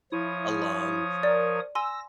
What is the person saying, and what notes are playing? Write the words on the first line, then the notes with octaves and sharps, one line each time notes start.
a lung,
F3 E4 C#5 D#6
A#4 D5
G#5 C6 E6 A#6